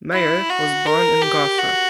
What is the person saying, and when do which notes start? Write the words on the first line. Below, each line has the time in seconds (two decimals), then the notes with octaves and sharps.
Meyer was born in Gotha.
0.13 E4
0.50 F#4
0.86 A#4
1.22 G4
1.58 F#4